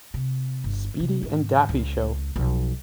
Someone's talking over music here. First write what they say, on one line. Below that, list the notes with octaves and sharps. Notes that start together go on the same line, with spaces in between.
Speedy and Daffy Show.
C3
G1
C3
G#2 D#3
C#2
B1 F3